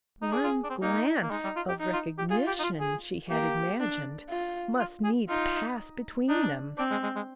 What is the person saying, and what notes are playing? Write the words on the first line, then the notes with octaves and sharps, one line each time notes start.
One glance of recognition she had imagined must needs pass between them.
D#4
D4 G#4
F4
D4
C4
A#3 D#4
A#3
G#3 D#4
G3
F4
G4
D#4
F4
G4
F4 G#4
G4
D#4
F4
G#4
A#3 G4
D4
F4
F4
G#4
D#4 F4
D4 D#4
C4 D4
G#3
G#3
G#3